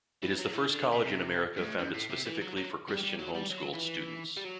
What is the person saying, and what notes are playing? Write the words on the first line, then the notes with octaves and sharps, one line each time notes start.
It is the first college in America founded specifically for Christian home-schooled students.
E3
F#3
E3
D3
C3
G2
A2
F#2
A2
C3
E3
F#3
F#3
G3
G3
F#3
G3
F#3
E3
G3
F#3